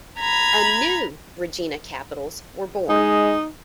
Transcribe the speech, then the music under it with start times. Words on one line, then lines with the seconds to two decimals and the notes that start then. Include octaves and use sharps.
A "new" Regina Capitals were born.
0.19 A#5 B5 G#6
2.89 G#3 D#4